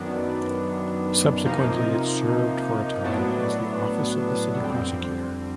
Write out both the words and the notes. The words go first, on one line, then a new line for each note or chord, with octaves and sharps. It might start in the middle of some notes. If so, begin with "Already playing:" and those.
Subsequently, it served for a time as the office of the City Prosecutor.
Already playing: F#2 D#3 F#3 B3 D4
C3 F3 A#3 D#4
A2 F#3 B3 D4
F2 D3 G3 C4